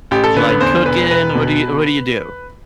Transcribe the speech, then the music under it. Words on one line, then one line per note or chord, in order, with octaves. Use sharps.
You like cooking, what do you what do you do?
A1 G4
A4
D3 B4
B4
E2 C5
E1 B4
E1 B4
B2